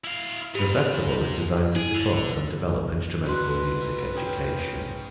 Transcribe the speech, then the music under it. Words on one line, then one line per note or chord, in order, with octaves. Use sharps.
The festival is designed to support and develop instrumental music education.
E4 F5
G#2 G4 B5
E4 G#4
D3
G#2 D3 F#4 B4 C6 F#6
C#4 G#4 G5